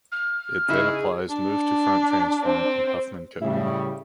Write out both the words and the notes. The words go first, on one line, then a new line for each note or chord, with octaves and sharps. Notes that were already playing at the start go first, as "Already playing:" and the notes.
It then applies move-to-front transform and Huffman coding.
F6
C#3 D#4 E4 G#4
D4
C4
A2 C#3 G3 E4